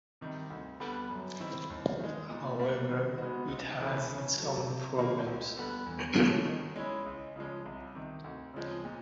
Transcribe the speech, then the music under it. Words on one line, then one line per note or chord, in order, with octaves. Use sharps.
However, it has its own problems.
C3 D#3 G3
D2
D3 G3 B3
F#2
D#3 G3 C4 E4
D#2
D#3 G#3
A#2
G3 A#3
D#3
G#3 B3 D#4 F#4
C#2
C#3 E3 A3
C#3
F#3 A3
C3
D#3 F#3 A#3
D2
D3 G3 B3
E2
C#3 F3 A3
D#3
G#3 C#4 E4
C#2
C#3 F3 G#3
C2
C3 D#3
D2
C#3 F3 G#3 C4
A#2